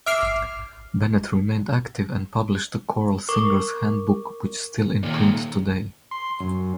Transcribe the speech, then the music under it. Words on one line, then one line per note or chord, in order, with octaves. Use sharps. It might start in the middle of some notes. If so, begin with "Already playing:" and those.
Bennett remained active, and published the "Choral Singer's Handbook" which still in print today.
E5 D6 F6 C7
A#4 C#6 D6
A#2 D#3
C6
F#2